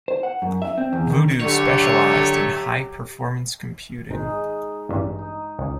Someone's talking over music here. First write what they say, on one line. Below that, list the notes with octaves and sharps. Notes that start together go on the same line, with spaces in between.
Voodoo specialized in high performance computing.
C5
F#5
F#2
E5
C4
E2
D#3
D3 F#3 A3 G4 C#5
G#1 G#3 D#4 D#5
A1 G2
D#4
C#2